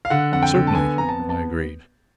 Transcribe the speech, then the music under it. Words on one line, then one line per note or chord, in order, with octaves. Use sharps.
"Certainly!" I agreed.
F5
D3 F#5
F2 F#5
G5
D3
A5
B3 G#5
F2 A#5
A5
B3
A5